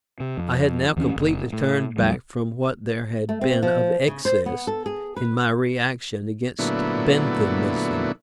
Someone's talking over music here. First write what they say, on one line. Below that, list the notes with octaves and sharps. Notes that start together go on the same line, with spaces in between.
I had now completely turned back from what there had been of excess in my reaction against Benthamism.
C3
F2
D#2 E3 G3 C#4
F#1
A2
E2 F3 G3
A3
C4
F3
C#3
C5
B3
A4
G#4
B4
A#2 D3 F#3 A3 B3 E4